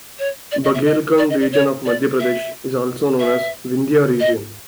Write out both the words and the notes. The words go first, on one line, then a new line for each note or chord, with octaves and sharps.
Bagelkhand region of Madhya Pradesh is also known as Vindhya region.
C#5
D5
D#5
E5
D#5
D5
D#5
D5
C#5
D5
E5
E5
D#5